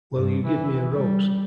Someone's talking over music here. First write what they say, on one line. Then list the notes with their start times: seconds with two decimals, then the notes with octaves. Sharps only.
Will you give me a rose?
0.15 G2
0.46 E3
0.91 G3